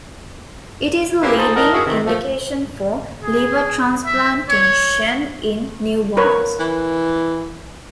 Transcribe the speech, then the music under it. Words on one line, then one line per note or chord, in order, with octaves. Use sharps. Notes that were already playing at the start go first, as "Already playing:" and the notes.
It is a leading indication for liver transplantation in newborns.
A#3 C#4 E4 G4 G#4 B4
D#4 F4 G#4 A4 C5
A2 A4 A#4 D#5 F#5
C#3 G#3 F#4 G#4 A#4 E5
C3 D#3 E3
F3 A3
G#4
E5
C#5
A#4 B4 C#5
E3